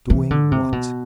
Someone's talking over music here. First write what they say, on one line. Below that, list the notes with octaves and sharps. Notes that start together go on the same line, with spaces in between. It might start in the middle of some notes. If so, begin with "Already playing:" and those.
"Doing what?"
E3
D3
C3
B2